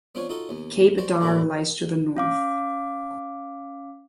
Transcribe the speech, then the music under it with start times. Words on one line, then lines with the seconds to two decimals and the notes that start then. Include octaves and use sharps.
Cape Adare lies to the north.
0.15 B3 C4 D4 F4 C5 C#5
0.29 D#4 F4 F#4 A4 D#5 F#5
0.49 D#2 B3
0.98 F#4 G4 C5 D5 G5
1.20 A2 D3 G3 A#3 E4 F#4
2.17 C#4 F5 D6